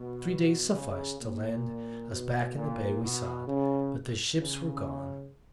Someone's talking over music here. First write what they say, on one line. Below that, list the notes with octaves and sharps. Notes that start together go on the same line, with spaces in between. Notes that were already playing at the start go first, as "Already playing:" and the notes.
Three days sufficed to land us back in the bay we sought, but the ships were gone.
Already playing: B2
C#3
A#2
B2
A#2
B2
C#3
C#3